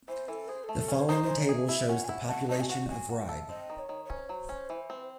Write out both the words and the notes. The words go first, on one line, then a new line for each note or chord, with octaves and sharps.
The following table shows the population of Ribe.
E3 C5
E3 A4
G#4 C5
A4
A3
A4
C#4
C5
D#4 C5
C5
G#3
C#5
G#4
E5
E4 E5
C#4 F#5
G#5
E4 F#5
A3 F#5
A3 D#5
G#5
F#4 F#5
F#4 G#5
F#4 F#5
A4 E5
C4 D#5
D#3
C#5
D#3
C#5
C#4 C5
F#3
C#4
E3
C4